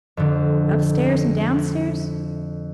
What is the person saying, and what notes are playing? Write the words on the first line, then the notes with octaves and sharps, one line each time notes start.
Upstairs, and downstairs.
F2 D3